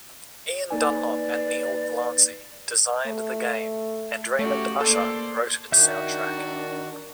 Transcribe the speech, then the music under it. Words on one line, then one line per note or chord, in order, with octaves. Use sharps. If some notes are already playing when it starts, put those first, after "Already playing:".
Ian Dunlop and Neill Glancy designed the game, and Raymond Usher wrote its soundtrack.
A#3 D#4 B4 D5 G#5
A3
A3 C#4 F#4 G4
A#3 A4 C5 D5
D#3 D4 F#4 A#4 E5 G6